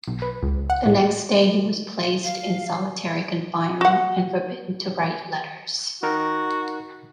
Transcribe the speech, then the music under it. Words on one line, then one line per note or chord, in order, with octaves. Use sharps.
The next day he was placed in solitary confinement and forbidden to write letters.
B1
B4
C#2
F#5
A2
F5
F#4 F#5
D#4 F#4 A#4 A#5